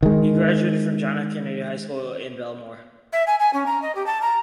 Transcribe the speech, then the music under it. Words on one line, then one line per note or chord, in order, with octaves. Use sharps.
He graduated from John F. Kennedy High School in Bellmore.
D#3 G#3
E5
G#5
G#5
C#4
A#5
D#5
G4
A5
A#5